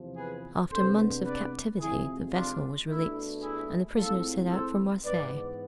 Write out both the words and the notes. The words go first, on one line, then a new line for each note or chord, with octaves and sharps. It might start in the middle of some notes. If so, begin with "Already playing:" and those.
After months of captivity the vessel was released, and the prisoner set out for Marseilles.
Already playing: E2 C3 F3
G#4 B4
C3 G#3 B3 D4 A4 C5
B4 D5
F2 C3 F3 G#3 E4 G#4
D4 F4
B2 A3 D4 E4
E4 G#4
A2 G#3 C4 F4 A4
A4 C5
G#2 E3 B3 B4 D5